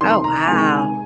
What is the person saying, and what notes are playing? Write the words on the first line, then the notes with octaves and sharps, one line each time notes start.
Oh, wow.
C2 C3 D#3 C6
A#5
C#2 C3 D#3 G#5